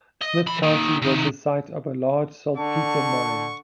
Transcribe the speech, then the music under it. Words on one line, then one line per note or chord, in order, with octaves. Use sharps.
Smith County was the site of a large saltpeter mine.
D#5
E3 B5
A#2 D#3
C3 D#3
D3 A5 C#6